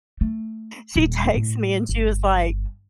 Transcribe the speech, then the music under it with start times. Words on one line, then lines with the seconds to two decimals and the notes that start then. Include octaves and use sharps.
she texts me, and she was like,
0.21 A3
0.96 D#1
1.34 A2
1.89 G1